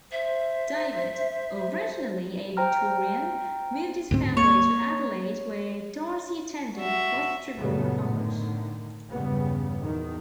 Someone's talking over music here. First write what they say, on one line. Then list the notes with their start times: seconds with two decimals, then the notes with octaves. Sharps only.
David, originally a Victorian, moved his family to Adelaide where Darcy attended Rostrevor College.
0.12 C5 E5
2.57 C5 G5 A#5 F6
4.11 D2 G#2 C4
4.37 A#3 C#5
6.77 F#4 E5
7.57 F#2 A#2 C#3 F#3 A3 B3
8.09 A2 D3 D#3
9.12 E2 G2 C#3 G3 B3
9.81 E2 B2 D#3